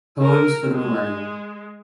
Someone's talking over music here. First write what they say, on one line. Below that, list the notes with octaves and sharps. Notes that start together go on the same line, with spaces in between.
Poems for the Millennium.
A#4
G#3